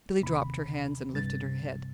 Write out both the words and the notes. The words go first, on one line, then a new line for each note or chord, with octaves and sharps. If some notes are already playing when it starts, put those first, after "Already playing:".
Billy dropped her hands and lifted her head.
D#2 C3 B5
C2 G2 C3 A6